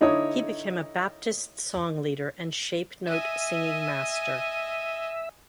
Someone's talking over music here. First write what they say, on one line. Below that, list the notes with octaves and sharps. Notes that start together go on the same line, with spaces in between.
He became a Baptist song leader and shape note singing master.
D3 D#4 E4 C#5 D#6
D#5 E5 G#5